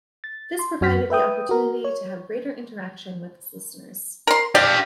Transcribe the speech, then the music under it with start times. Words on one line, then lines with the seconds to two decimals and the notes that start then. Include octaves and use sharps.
This provided the opportunity to have greater interaction with his listeners.
0.24 A6
0.59 C6
0.81 F#2 F#4 F6 B6
1.10 B4 E5 G5 D#6
1.49 F#4 A#4
1.84 C#5
4.27 A#4 C6
4.55 G4 D5 F5